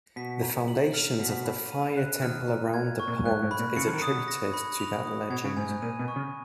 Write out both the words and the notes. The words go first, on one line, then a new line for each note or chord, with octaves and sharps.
The foundations of the fire temple around the pond is attributed to that legend.
B2 B6
A#5
F#7
F6
B2 B6
B5
D#7
F#6
D#3 F6
A#5
G#6
C#6
A#2
G#2 F#6
G#2
B5
A#2
C#3 C#7
F3
D#3
D#6
B2
A#6
B5
F7
D#6
B2 G#6
C#3
G#2 G#5
G#2
A#2 D#7
B2
C#6
C#3